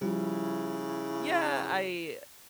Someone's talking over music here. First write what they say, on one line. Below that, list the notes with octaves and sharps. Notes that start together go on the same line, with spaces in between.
Yeah, I
C#3 F3 G3 E4